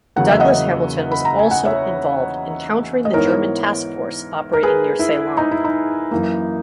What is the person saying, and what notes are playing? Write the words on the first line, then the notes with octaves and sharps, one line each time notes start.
Douglas-Hamilton was also involved in countering the German task force operating near Ceylon.
E2 C#3 F#3 A#3 F#5
E5
D#5 F#5
B5
A#5
G#5
F#5
C#5 E5
D#5
G#2 E3 B3 A#4 C#5
A#4
G#4 B4
E4
D#4
E4
D#4
F#2 E3 A#3